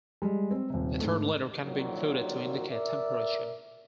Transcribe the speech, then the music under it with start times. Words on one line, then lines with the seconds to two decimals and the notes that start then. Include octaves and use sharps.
A third letter can be included to indicate temperature.
0.22 G3 G#3
0.51 C4
0.70 D#1 C3
0.99 G#2 A3
1.61 A#2 D3 D#3 F3 F#3
2.70 A#4 D5 E5